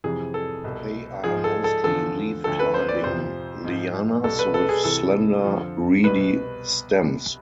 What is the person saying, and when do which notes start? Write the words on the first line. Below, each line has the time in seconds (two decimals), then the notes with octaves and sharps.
They are mostly leaf-climbing lianas with slender, reedy stems.
0.04 F2 C3 E3 G#4
0.34 A4
0.64 C2 B2
1.24 G#2 F3 G#4
1.44 A4
1.64 A4
1.84 E2 D3 F3 A4
2.44 D2 D3 F3 A4
2.59 B4
2.74 C5
2.89 D5
3.04 F2 C3 F3 C5
3.64 G#2 F3
4.24 C2 B2 A4
4.39 B4
4.54 A4
4.69 G#4
4.84 C2 C3 E3 A4
5.44 F2 D3 F3
6.04 C2 B2 B4